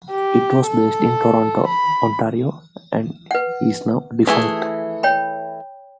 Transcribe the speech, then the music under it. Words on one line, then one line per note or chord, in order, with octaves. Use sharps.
It was based in Toronto, Ontario, and is now defunct.
G4
A4
B5
B4 F#5
E3 A3 G#4
C#5 G5 B5